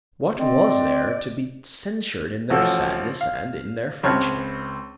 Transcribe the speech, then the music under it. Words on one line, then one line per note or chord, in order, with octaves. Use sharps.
What was there to be censured in their sadness and in their friendship?
C4 D5 D#5
A1 F3 F#4 A4 E6
F5
C#2 C4 C#5 A5 B5 F6